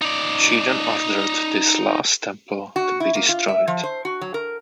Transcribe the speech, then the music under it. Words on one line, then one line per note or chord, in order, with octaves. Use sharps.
She then ordered this last temple to be destroyed.
D#4 D5
F#4
E4
A#3
F4
E5
F3
C5
F#4
F#3
A#4